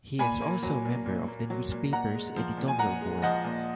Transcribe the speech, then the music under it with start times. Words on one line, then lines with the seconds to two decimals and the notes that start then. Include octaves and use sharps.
He is also a member of the newspaper's editorial board.
0.19 A#2 G#5 B5
0.41 A#3
0.63 F#3
0.85 A#2
1.06 A#2
1.28 A#3
1.50 F#3
1.71 A#2
1.93 A#2 F#5 A#5
2.14 G#3
2.36 F3
2.57 A#2
2.68 G#5
2.79 A#2 F#5 A#5
3.01 G#3
3.22 F3 D#5 F#5
3.44 A#2